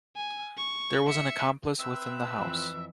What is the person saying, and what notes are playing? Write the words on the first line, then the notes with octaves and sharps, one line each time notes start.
There was an accomplice within the house.
G#5
C#6
E5 C#7
C4 B4 E5
F2 E3